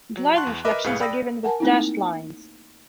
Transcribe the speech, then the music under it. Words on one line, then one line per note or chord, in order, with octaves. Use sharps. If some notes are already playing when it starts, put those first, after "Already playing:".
Glide reflections are given with dashed lines.
F#3
F#5 A5 C6 C#6 F#6
E2
A#4 B4 D#5 E5 B5 D6
C2 A2 G#4 B4 F5 C#7
D5 G5 B5 D#6 E6 A#6
A#4 F#5 G#5 A5
A3 A#3 C4 D#4 E4